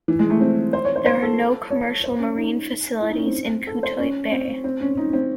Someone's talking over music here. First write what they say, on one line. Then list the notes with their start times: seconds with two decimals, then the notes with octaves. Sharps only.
There are no commercial marine facilities in Cotuit Bay.
0.08 E3
0.19 G#3
0.30 A3
0.40 C4
0.73 C5
0.85 C#5
0.96 C5
1.06 C5
1.23 A4
1.70 C#5
2.04 C5
2.19 C#4
2.36 D#4
3.01 E4
3.10 D#4
3.18 C#4
3.26 C4
3.67 A4
3.83 C5
3.99 C#4
4.31 C4
4.64 C4
4.80 C#4
4.97 D#4
5.13 C4